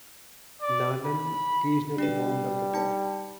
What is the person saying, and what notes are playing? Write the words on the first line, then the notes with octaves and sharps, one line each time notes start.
Nalon occasionally warmed up the car.
D5
B5
G3 D4 F#4 B4
D#4 A5